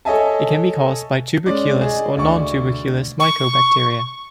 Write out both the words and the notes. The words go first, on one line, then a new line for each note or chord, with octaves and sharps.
It can be caused by tuberculous or non tuberculous mycobacteria.
A4 C#5 D#5 E5 G#5 A5
G#3 C#4 D5
G#4 D#5
D2 D5 C#6
C#6